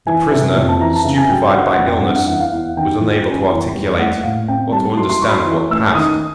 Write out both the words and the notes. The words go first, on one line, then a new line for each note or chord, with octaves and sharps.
The prisoner, stupefied by illness, was unable to articulate, or to understand what passed.
E3 G#5
C3
F2
A5
E3 A#5
A5
C#3 A#5
G#5
F#3 G5
G5
F#3 F#5
F#5
F2
G5
G2 F#5
F#5
E3 F#5
F5
E2 F#5
D#3 G5
F3
C#4
E2
G3
A3 F#5
A2 F5
C4 G5
G3 A5
F#3 C6
C6
F#3 C#6
B5
C6
E3
A3 E6
D#3 D#6